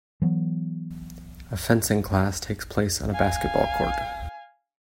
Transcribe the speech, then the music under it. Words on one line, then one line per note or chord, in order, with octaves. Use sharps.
A fencing class takes place on a basketball court.
E3 F#3 B3
F5 G#5